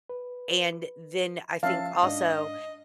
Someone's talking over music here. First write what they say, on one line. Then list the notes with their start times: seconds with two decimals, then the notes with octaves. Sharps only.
and then, I think also
0.09 B4
1.63 F3 C#4 E5 F5 A5
2.03 G#2 D4 D#5